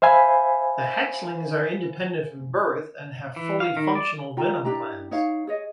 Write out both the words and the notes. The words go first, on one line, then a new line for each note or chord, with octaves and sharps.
The hatchlings are independent from birth and have fully functional venom glands.
C5 E5 F5 G#5 B5
E3
F5
D#3
D5
F4 G5 A#5
D4 E4 G4 A#5
D#4 C#5 F5
G#4 C#5 D#5